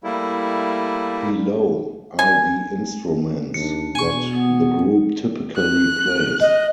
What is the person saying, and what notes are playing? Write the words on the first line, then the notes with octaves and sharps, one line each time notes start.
Below are the instruments that the group typically plays.
G3 A3 A#3 E4
G#5
D#2 D4 C#7
B2 G#5 C#6
B3
F#6
D#5